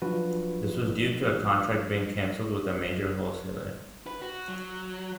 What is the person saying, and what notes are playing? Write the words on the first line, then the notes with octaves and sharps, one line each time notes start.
This was due to a contract being cancelled with a major wholesaler.
F3 F#3 D4 F4 F#4 B4
B4
F#4
F#3